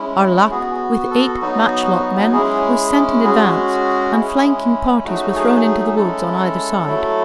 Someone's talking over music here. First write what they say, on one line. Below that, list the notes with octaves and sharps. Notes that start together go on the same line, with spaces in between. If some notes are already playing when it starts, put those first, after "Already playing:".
Arlac, with eight matchlock men, was sent in advance, and flanking parties were thrown into the woods on either side.
Already playing: G#3 C#4 E4
B3 F#4 G#4
A4
F#3 B3 D#4 F#4
F#4
G#3 C#4 E4 G#4
G#3 C#4 F#4 G#4
G#3 C#4 E4
F#3 A3 D#4 F#4
G#4
G#4
G#3 C#4 E4 A4
F#3 A3 E4